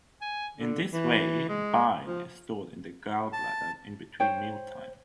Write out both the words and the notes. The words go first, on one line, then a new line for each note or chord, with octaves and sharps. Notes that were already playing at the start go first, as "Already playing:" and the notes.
In this way, bile is stored in the gallbladder in between meal times.
G#5
D3
E3
G#3
F3
A5
C5 C#5 G5